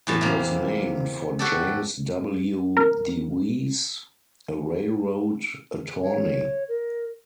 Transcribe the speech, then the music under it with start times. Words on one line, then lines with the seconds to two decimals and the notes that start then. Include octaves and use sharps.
It was named for James W. Deweese, a railroad attorney.
0.07 E2 A2 A5
0.21 C3 A#3
1.39 F#4 G4 A4
2.77 A#4
6.01 C#5
6.68 A#4